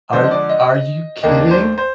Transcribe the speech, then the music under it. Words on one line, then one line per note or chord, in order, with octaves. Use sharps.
Are are you kidding?
F2 D3 G#3 C5
D#5
D5
D#5
D#2 D#3 A#3 D4 D#5
C5
C5